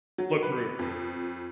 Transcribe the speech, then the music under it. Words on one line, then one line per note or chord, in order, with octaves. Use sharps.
look through it?
F#3
B4
F2